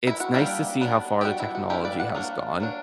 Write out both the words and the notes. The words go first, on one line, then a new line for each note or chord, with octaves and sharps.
it's nice to see how far the technology has gone,
E4
F#4
G3 A#3 D4 E4 G4
F#3 B3 D4
G4
G3 B3 D4 F#4
E4
F#4
E3 A#3 D4 E4 G4
B4 D5
D5 F#5
F#3 A#3 D4
F#3 A#3 D4